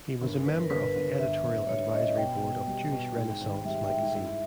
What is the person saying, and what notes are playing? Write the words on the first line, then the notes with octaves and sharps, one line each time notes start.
He was a member of the editorial advisory board of "Jewish Renaissance" magazine.
G1 A#4
G1 B4
A#4
G1 B4
G1
G1 E5
G1
G2 C#5
C#4 D#5
B2 G5
B2
G3
B2
G#2
G#1
G3 E5
G5
G#2 E5
E4 E5